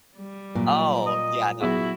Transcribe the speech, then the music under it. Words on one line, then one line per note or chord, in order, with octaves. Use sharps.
Oh, yeah, no
G3
A#2 F#3
D#5
F#3 B3 E4 F#4 G#4